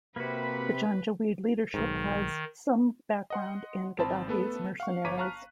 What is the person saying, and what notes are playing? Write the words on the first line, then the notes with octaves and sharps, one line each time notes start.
The Janjaweed leadership has some background in Gaddafi's mercenaries.
C3 A#3 F#4 B4 B5
B1 G#2 D#3
D#5 F#5 C6
G#1 C4 C5 A5 B5
A3 B3 A4 B4
F5 F#5 C#6
G1 C#5 A#5 D6 B6 D#7
F5 A5 A#5 C#6 F6 F#6